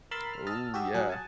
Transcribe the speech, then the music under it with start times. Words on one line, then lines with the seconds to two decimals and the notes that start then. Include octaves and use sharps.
Oh, yeah.
0.11 A#4 B5 C6 E6 A6
0.34 F6
0.47 D#5 A5 E6 F6
0.74 F#4 G4 D#5 E5
0.94 F#3 G#4 F#5
1.10 G#5 A5